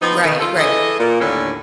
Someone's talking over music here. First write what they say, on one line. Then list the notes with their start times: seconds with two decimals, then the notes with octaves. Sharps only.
Right, right.
0.02 F3 B3 C4 D#4
0.24 B2 D#3
0.40 F4 A4
0.59 E3 G#4 A4 D#5
0.99 A#2
1.20 D#2 A2 D3 C#4 D4 A4